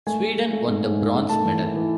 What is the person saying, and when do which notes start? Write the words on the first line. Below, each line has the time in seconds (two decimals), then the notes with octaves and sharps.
Sweden won the bronze medal.
0.07 A3 G#5
0.22 A3
0.38 A3
0.53 A3
0.68 G#2
0.84 G#2
0.99 G#2
1.13 G#2
1.29 A3 A5
1.45 E3
1.60 E3
1.76 E3